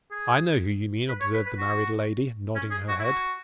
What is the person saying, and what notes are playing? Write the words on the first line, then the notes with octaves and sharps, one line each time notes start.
I know who you mean,' observed the married lady, nodding her head.
G#4
B4
C#5
B4
B4
F#4
C#4
G#4
F#4
E4
F#4